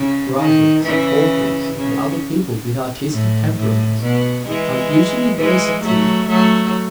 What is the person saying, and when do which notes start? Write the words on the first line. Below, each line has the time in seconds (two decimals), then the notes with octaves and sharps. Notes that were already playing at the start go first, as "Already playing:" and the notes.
Writers, authors, and other people with artistic temperaments, are usually very sensitive.
Already playing: C#3
0.38 D#3
0.83 C#3 E3
1.74 C#3
3.11 A2
3.56 A2
4.02 B2
4.47 E3 G#3
5.38 E3 G#3
5.83 F#3 A3
6.28 F#3 A3